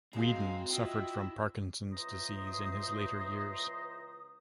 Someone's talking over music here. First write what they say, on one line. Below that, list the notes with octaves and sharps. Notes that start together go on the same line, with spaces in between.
Weedon suffered from Parkinson's disease in his later years.
G#3 C4 F#4 F5 A#5
E4 F4 D#5 G5 E6
C#2 E3 C5 A#5 D#6